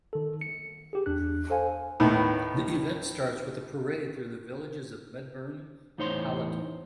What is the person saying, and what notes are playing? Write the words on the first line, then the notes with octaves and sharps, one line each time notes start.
The event starts with a parade through the villages of Medbourne and Hallaton.
D#3 A4
C#7
G4 G#4
E2 D4 F#6
A4 C5 F5 G#5
D#2 A2 D#3 B3
E2 A2 D#4 C5 C#5 C6